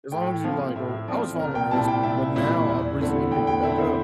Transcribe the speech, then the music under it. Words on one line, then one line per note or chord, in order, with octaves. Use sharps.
as long as you like, oh I was following a recipe, but now I've recently picked it back up
A2 G5
F3 C4 F5
A2 E5
F3 C4 D5
C2 A#4
G5
A#2 G3 C4 E4 A5
G5
C2 E5
A#2 G3 C4 E4
E2
D3 A3 C4 E4
E2 G5
G5
D3 A3 C4 E4 E5
C5